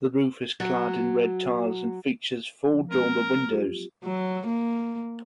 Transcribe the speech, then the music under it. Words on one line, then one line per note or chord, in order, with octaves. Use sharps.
The roof is clad in red tiles and features four dormer windows.
F#3
F3
G#3 A#3 C4 A#4
F#3 F4 G4
F#3
A#3